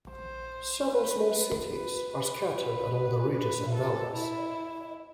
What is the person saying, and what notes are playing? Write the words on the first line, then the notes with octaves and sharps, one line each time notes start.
Several small cities are scattered along the ridges and valleys.
C5
B4
B4
B4
B4
B4
B4
A4
E4